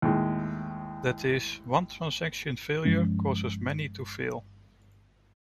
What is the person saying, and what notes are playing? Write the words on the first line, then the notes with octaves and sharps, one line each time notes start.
That is, one transaction's failure causes many to fail.
D#2 A2 G#3
G2 F3 G#3 C#4